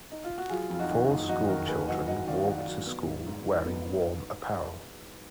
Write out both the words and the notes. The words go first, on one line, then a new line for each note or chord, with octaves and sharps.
Four school children walk to school wearing warm apparel.
D#4
F4
F#4
F#3 F4 G#4
F2 F4
D#4 F#4
D#3
F#1 D#4
F2 D#4 F#4
D#3 F#4 A#4
F#1 G#4 B4
F#3 D#5 F#5
F#3 D#5 F#5
D#3 D5 F5
F#3 F#5
D5 F5
F#3
B3
G#2
G#2
D#4
B3